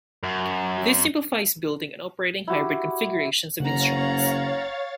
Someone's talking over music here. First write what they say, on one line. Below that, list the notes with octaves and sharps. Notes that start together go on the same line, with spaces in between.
This simplifies building and operating hybrid configurations of instruments.
F#2
E4 F#4 G4
F#1 C#3 C#5 F5 F#5 A#5 A6